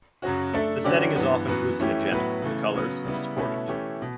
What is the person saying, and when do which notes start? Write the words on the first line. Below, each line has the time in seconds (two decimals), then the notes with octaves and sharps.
The setting is often hallucinogenic; the colors, discordant.
0.22 F#2 C#3 F#3 C#4 F#4
0.53 A3 D4 A4 E5
0.84 D3 F#3 C#4 G4 D5
1.16 G2 E3 B3
1.47 F#2 E3 B3 F#4
1.80 E3 A3 C#4 E4 G4
2.11 A2 F#3 B3 E4 B4
2.42 C#3 E3 A3
2.74 C#3 F#3 B3
3.05 C#3 G3 B3 E4
3.37 B2 A3 C#4 E4 B4
3.68 E3 A3 C#4 E4 G4
4.02 B2